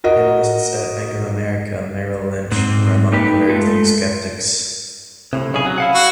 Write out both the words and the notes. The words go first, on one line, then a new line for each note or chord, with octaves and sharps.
Analysts at Bank of America Merrill Lynch were among the very few skeptics.
F#4 A#4 D#5
G#2 C4
A3 A#3 D#4 G4 A4 B4
G#3 A3 F4 A4
A2 C3
B1 C#3 G#4
F#3
E4 F5 F#5
F#4